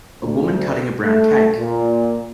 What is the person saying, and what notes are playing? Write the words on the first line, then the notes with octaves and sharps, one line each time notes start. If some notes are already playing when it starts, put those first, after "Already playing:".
A woman cutting a brown cake.
D2
A3
A#2